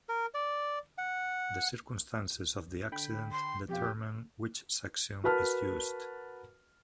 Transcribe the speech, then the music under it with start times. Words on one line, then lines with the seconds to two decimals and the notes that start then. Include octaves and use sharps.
The circumstances of the accident determine which section is used.
0.09 A#4
0.34 D5
0.98 F#5
2.92 D3 G5 B5
3.32 C6
3.69 F2 B2 F4 G4
5.24 F#4 A#4 B4 A5 F6